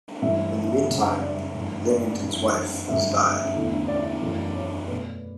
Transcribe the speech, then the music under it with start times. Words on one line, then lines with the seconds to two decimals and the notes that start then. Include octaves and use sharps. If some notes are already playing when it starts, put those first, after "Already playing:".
In the meantime, Leamington's wife has died.
0.22 G2 E3 A3 E5
0.89 F#2 C#3 G3
1.22 D5
1.55 G2 E3 A3
1.88 D5
2.05 D5
2.21 F#2 E3 G3
2.88 G2 D3 F#3 A3 E5
3.55 E2 D3 A3
3.88 D5
4.21 F#2 E3 A3
4.55 C#5
4.88 B2 A3 B4